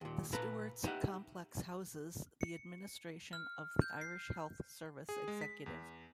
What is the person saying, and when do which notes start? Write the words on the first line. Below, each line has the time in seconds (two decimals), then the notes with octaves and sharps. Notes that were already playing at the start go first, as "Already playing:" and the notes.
The Stewarts complex houses the administration of the Irish Health Service Executive.
0.01 D#2 A#2
0.32 A#2 A4 B4 A#5
0.84 D#4 G4 E5 F#5
2.41 C#7
3.33 F6
3.82 G6
4.01 C7
5.09 G#4
5.28 G#3
5.41 B6
5.66 E2